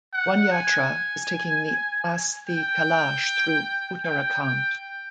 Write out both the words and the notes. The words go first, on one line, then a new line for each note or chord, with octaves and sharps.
One Yatra is taking the asthi Kalash through Uttarakhand.
F#5
G#5
G5
G5
G5